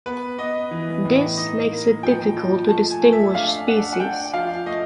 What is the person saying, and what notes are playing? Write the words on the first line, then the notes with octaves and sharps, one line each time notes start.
This makes it difficult to distinguish species.
B3 B4
B3 D#5
E3
A2
D#4 D#5
A#3
F3 G5
F3
A3 A5
G#5
A3
E5
D4 F5
D4 F#5
F#5
D4 G5
F3 F5
A3 D#5